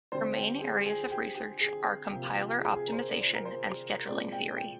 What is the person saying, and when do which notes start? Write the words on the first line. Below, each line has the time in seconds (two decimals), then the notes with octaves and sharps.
Her main areas of research are compiler optimization and scheduling theory.
0.12 D3 G3 C4 C5
0.37 G4
0.61 G#4
0.86 G#4
1.12 G4
1.35 G4
1.60 G#4
2.10 C3 F3 A#3 G4
2.22 F4
2.34 G4
2.47 G4
2.60 G#4
2.76 G#4
2.88 A#4
2.92 C5
3.08 D5
3.21 C5
3.34 A#4
3.45 C5
4.07 A#2 G#3 C4 D5
4.32 G5
4.57 G5